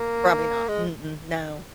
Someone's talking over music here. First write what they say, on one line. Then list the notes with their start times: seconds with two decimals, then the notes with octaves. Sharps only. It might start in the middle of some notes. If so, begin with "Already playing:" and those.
Probably not. Mm-mm, no.
Already playing: A#3
0.68 G#3